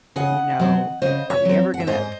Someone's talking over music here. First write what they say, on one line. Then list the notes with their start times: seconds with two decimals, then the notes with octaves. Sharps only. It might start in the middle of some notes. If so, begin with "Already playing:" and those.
you know, are we ever gonna"
0.16 C#3 D#5 F#5
0.59 F#3 C4
1.02 C#3 C5 D#5
1.30 C#5 E5
1.45 F#3 C4
1.74 F#5
1.80 E5
1.87 G#2 C5 D#5